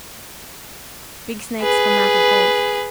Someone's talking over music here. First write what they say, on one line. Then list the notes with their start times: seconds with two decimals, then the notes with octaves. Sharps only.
Big snakes come out of holes.
1.61 G#4 B4